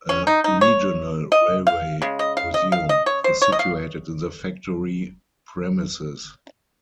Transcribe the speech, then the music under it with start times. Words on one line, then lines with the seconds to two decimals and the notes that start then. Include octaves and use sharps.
A Regional Railway Museum is situated in the factory premises.
0.09 C#4
0.27 D#4
0.44 D#4
0.61 C#5
1.32 D#5
1.67 F5
2.02 C#3 G#3
2.19 D#5
2.37 F5
2.54 D#5
2.72 F5
2.89 D#5
3.06 C#5
3.24 C5
3.42 C#5
3.52 D#5
3.59 F5